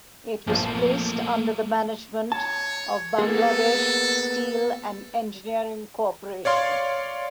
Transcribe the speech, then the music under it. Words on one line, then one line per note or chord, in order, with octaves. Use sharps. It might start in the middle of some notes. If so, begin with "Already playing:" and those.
It was placed under the management of Bangladesh Steel and Engineering Corporation.
A#1 F3 A3 A#3 C5
C#5 A5
A#3 B3 G#4 A4
C#5 D5 F5 C6